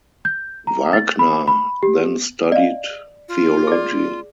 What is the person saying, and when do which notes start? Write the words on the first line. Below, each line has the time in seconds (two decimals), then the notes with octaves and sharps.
Wagner then studied theology.
0.25 G6
0.67 A#5
0.93 A6
1.19 B5
1.48 B5
1.83 G4
2.52 D5 D#5 F5
3.29 F4
3.67 G#4 D5